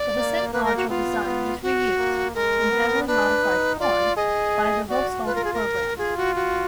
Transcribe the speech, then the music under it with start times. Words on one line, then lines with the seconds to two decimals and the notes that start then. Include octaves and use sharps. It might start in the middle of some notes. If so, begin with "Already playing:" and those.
The descent module design was reused, in heavily modified form, by the Voskhod program.
Already playing: D5
0.17 A#3
0.53 A#3 B4
0.65 A#4
0.77 F#4
0.89 B3 F4
1.25 B3
1.62 F#4
1.98 A#3
2.34 G#3 A#4
2.70 B3
3.07 D4 B4
3.43 D#4
3.80 F4 D5
4.16 G#4 D#5
4.90 F#4 D5
5.25 F4 B4
5.35 A#4
5.44 G#4
5.53 A#4
5.98 F4 G#4
6.17 F#4
6.35 F#4